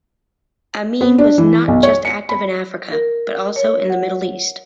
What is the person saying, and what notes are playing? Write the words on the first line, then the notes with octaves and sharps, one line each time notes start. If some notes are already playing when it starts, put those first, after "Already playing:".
Amin was not just active in Africa, but also in the Middle East.
B3
D4
E3
B1
C#5
C#7
B5
A#4
C#5
F#5